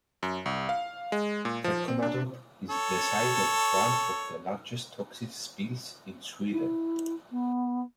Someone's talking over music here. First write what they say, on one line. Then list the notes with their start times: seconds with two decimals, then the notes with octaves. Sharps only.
Teckomatorp is the site of one of the largest toxic spills in Sweden.
0.23 F#2
0.46 C2
0.69 F5
1.12 G#3
1.45 A#2
1.64 F3
1.88 C4
2.03 D4
2.70 A4 C#5
6.51 E4
7.31 B3